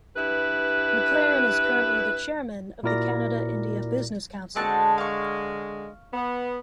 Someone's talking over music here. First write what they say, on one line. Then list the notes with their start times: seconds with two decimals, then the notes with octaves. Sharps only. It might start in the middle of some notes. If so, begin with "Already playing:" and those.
MacLaren is currently the Chairman of the Canada-India Business Council.
0.16 G2 E4 B4
2.83 A#2 E4 F#4 A#4 D5 A#6
4.56 D3 G#3 C4 F#4 A5
4.98 F5 C#6
6.13 B3